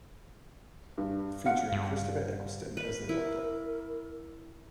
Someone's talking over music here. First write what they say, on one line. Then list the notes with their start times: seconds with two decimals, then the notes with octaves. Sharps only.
Featuring Christopher Eccleston as The Doctor.
0.98 G2
1.46 F5 F#5 C#7
1.72 G2
2.77 A#4 B4
3.09 E4